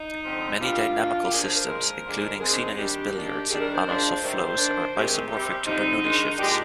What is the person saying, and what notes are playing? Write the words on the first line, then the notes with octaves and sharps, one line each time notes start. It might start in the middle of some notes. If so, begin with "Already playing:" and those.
Many dynamical systems, including Sinai's billiards and Anosov flows are isomorphic to Bernoulli shifts.
Already playing: D#4
D3 F3 C4
A#2 G3 D4 F4
D#3 A#3 D4
G4
F3 A#3 D4 G#4
C5
A#4
A#2 F3 G#3
D3 F3 G#3 D4
D#3 G#3 C4 G#4
D4
D#4
D#3 G3 D4 G4
D#3 A#3 D4
D#3 G3 D4 G#4
A#4
C5
F3 G#3 D4
C3 D#3 G3 C5
D#3 A#3 D4
C3 D#3 G#3 C4 G4
C3 G3 C4
D3 F3 C4 D#4
D#3 G#3 D4
A#2 G#3 D4 G4